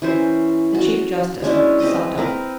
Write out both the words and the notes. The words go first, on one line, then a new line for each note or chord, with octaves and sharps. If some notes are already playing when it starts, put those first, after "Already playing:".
The chief-justice summed up.
E3 C#4 C5
F#4
G#3 C#4 D4 E4
C4 B4 D#5
C4 A#4 B4